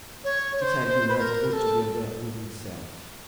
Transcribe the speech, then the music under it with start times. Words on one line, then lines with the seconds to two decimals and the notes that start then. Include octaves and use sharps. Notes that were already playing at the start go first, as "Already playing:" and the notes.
It had been left altogether with himself.
0.24 C#5
0.57 C#5
0.61 C5
0.88 C5
1.09 B4
1.19 A#4
1.50 A#4
1.53 A4